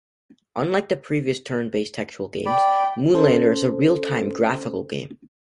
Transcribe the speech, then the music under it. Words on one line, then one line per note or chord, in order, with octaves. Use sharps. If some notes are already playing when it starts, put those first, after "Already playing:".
Unlike the previous turn-based, textual games, "Moonlander" is a real-time graphical game.
D5 G5 B5
C#4 A4 C5